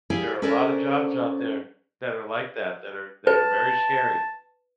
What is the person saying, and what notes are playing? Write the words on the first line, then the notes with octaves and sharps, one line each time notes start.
There are a lotta jobs out there that are like that, that are that are very scary,
E4 G4 G#4 D5 F5 G#5
C#4 D4 A4 A#4 C5 D5
B4 A5